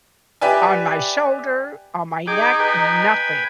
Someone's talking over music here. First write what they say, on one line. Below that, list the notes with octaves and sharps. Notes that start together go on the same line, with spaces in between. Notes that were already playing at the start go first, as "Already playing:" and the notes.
on my shoulder, on my neck, nothing.
G4 B4 D5 E5 G#5
D#4 G#4 G5 D6
B4 G5 G#5